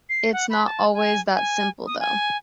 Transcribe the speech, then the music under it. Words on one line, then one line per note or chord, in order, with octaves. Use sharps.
It's not always that simple, though.
C7
F#5
B5
A5
G#5
G#5
D#6
G#5